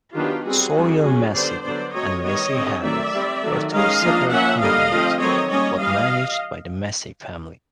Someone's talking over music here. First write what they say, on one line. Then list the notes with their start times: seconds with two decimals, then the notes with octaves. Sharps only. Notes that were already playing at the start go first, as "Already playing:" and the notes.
Sawyer-Massey and Massey-Harris were two separate companies, both managed by the Massey family.
0.16 D#3 F#3 B3 D4 F4 G4
0.46 G3 C4 F#4 G#4
0.75 D#3 G3 C4
1.05 F#3 A#3 C#4
1.35 D3 G3 B3 C5 D5
1.64 D3 F#3 B3 D4 C5 D5
1.94 F#3 A3 C4 C#5 D#5
2.24 D#3 G3 B3 C#5 D#5
2.54 D3 G3 C4
2.83 D#3 F#3 A3 C4 D5 E5
3.13 G3 C4
3.42 D#3 F#3 A3
3.72 D#3 G#3 C#4 D#5 F5
4.02 F3 A#3 D4
4.32 F3 A#3 C#4 E5 F#5
4.61 D3 G3 A#3 D#5 F5
4.91 F3 A3 C4
5.21 D#3 F#3 A3 C4 C#5 D#5
5.51 G3 A#3 C#4 C#5 D#5
5.80 E3 G3 D#5 F5